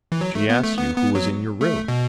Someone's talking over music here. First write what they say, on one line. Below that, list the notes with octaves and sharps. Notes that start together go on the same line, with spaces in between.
She asked you who was in your room.
E3
F#3
A3
B3
A3
B3
B3
F#3
A3
B2